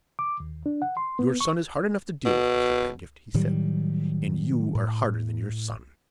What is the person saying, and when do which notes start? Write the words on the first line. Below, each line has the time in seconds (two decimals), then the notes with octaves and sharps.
"Your son is hard enough to deal with, Mr. Pedgift," he said, "and you are harder than your son."
0.19 D6
0.40 D#2
0.66 D4
0.82 F#5
0.97 C6
1.19 B3
1.41 C#6
2.25 B2
3.34 A2 D#3 F#3 G3
4.75 A2